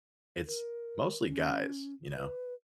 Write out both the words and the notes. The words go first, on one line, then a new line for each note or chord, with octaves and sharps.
it's mostly guys, you know,
A#4
C#4
B4